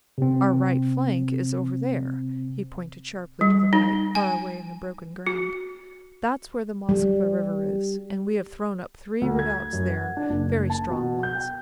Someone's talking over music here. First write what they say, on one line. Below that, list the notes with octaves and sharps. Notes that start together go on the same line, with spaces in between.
Our right flank is over there"--he pointed sharply to the right, far away in the broken ground--"That's where the Moskva River is, and we have thrown up three redoubts there, very strong ones.
C3 C4
G3
D#4
G#5
F#4
G3
D2
G#6
F#2
F#5
D4
F#1
A5
B2
G6
G5